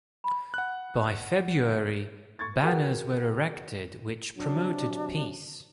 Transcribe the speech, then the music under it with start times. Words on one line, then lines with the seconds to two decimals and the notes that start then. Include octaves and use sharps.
By February banners were erected which promoted peace.
0.24 B5
0.54 F#5 F#6
2.39 C#6 G#6 A6
2.62 F#4 G#4 A#4 B4 F#5 G5
4.36 C3 F#3 D4